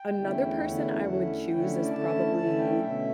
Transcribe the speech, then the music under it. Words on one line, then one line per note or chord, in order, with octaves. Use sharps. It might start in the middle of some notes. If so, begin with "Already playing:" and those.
another person I would choose is probably
Already playing: G5
E2 D3 A3 C#4 E4
E2 D3 A3 C#4 E4 F#5
D3 A3 C#4 E4
D3 A3 C#4 E4 G5
F#5
D5
D3 A3 C#4 E4 A5
D3 A3 C#4 E4 A5
G5
B2 A3 C#4 E5